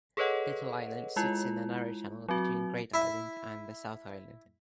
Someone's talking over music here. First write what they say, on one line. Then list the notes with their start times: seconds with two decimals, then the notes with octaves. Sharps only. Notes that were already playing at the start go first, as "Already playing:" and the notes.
Little Island sits in the narrow channel between Great Island and the South Island.
0.17 G#4 A4 B4 C#5 D#5 F#5
1.16 G#3 E4 F4
2.29 F#3 C4 F#4
2.94 E4 E5